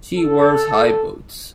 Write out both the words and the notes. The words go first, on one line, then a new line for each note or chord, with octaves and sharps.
She wears high boots.
A4